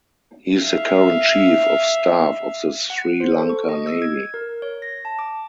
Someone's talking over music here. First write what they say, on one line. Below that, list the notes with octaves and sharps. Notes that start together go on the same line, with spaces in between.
He is the current Chief of Staff of the Sri Lanka Navy.
E5 F5
F#5
C5
A4
C#6
D#5
E6
G#6
A#4
C#5
A#6
A5
D6